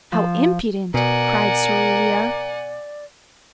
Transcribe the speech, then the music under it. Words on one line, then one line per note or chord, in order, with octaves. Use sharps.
"How impudent!" cried Cerulia.
F3
B2 A#4 D5 F#5 G#5